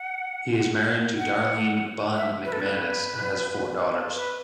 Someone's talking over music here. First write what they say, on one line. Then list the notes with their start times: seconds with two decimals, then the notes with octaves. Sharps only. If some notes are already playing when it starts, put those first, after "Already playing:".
He is married to Darlene "Bun" McManus and has four daughters.
Already playing: F#5
1.18 F#5
2.17 E5
2.45 B4
2.52 A4
2.60 B4
4.15 B4